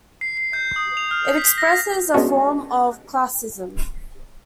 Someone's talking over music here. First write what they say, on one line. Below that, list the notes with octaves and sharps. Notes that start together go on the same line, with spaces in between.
It expresses a form of classism.
C7
C7
G6
D#6
F7
F6
B6
A#6
G#3 B3 C#4 D4 F#4